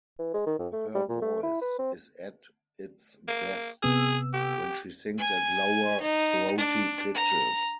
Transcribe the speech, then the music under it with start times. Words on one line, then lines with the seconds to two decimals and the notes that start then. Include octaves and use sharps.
Her voice is at its best when she sings at lower, throaty pitches.
0.19 E3
0.34 G#3
0.47 D#3
0.59 F2
0.73 A3
0.95 G3
1.09 A#2
1.22 A3
1.43 E4
1.62 B4
1.79 C4
3.28 A#3
3.82 C3 B3 G#4 E6
4.33 G4
5.18 G#5
6.01 D#4
6.58 D4
7.14 A#5